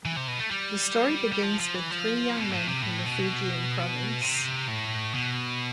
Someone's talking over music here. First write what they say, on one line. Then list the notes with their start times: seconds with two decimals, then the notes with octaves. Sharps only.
The story begins with three young men from the Fujian province.
0.05 E3
0.17 C3
0.28 B2
0.39 A3
0.51 G3
1.32 G3
1.43 F3
1.60 F3
1.75 E3
1.91 F3
2.37 B2
2.52 A2
2.68 C3
2.83 A2
3.06 B2
4.22 C3
4.68 A2
5.14 B2